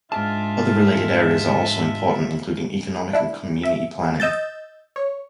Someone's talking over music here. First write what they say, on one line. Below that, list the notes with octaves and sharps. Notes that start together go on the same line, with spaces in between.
Other related areas are also important, including economic and community planning.
G#2 G#3 D4 F4 E5 A5
D4 E4
E5
D#5 E6 G6 A6
C#5